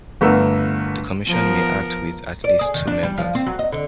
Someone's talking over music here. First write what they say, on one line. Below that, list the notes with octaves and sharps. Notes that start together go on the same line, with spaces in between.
The Commission may act with at least two members.
G1 A3 B3 A#4 E6
F3 B3 A#4
D5
G#4
D#3
D4
G3
F3
C4
F#3
D#5
D3